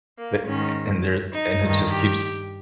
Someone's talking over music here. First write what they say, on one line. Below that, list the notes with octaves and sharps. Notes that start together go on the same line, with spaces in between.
Th a and there and it just keeps
A#3
G#2 D#3 C#4
D#4
G2 D#3
G4